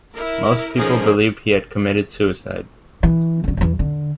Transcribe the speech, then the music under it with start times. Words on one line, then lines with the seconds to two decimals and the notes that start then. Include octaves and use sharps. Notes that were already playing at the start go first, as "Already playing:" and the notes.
Most people believed he had committed suicide.
0.14 E4 A#4
0.77 D3 F3 C#4 D#4 G#4 A#4
3.03 E3
3.44 F#2 D3
3.57 E2 E3
3.79 D3